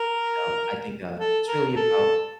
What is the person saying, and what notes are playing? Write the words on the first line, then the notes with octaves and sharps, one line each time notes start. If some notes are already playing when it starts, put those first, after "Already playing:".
uh, you know, I think, uh, it's really about,
Already playing: A#4
A4
A#4
A4